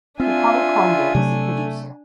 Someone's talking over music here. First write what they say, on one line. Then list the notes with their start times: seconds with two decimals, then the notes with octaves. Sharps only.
Hikaru Kondo is the producer.
0.20 C4 D4 F4 E5 G#5
1.15 C3 F#3 A3